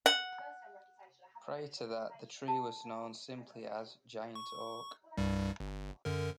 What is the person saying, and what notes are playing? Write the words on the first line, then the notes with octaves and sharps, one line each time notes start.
Prior to that, the tree was known simply as Giant Oak.
F#5
A5
C#6
C2 G2 G3
G1
F#2 D3 A#4